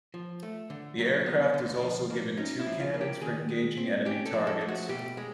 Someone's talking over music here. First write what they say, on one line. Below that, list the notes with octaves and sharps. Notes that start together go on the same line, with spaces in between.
The aircraft is also given two cannons for engaging enemy targets.
F3
A3
D3
F#3
B3
D3
F3
A#3
C#4 D#4
E4
F3
F4
A#3
G4
D#3 G#4
G#3
C4
C#4 G4
A4
F3
A4
A3
F#4
B2 G4
G#3